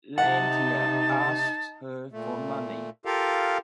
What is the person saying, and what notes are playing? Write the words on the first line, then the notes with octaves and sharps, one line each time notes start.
Lantier asks her for money.
C3 D#4 F#5 A5
A#2 A3
F4 G4 A4 A#4 F5